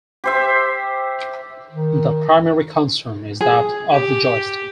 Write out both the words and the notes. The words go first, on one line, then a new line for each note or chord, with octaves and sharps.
The primary concern is that of the joystick.
G4 C5 E5
D#3
G#4
G4